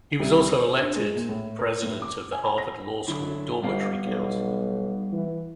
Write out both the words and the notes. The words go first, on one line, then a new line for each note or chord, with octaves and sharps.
He was also elected president of the Harvard Law School Dormitory Council.
C2
C5
D4
G#3
A#2
A2
A#4
A2
D6
G#5
A#6
D3 F#3 E4
G1 G3 B3 F5
B1
E3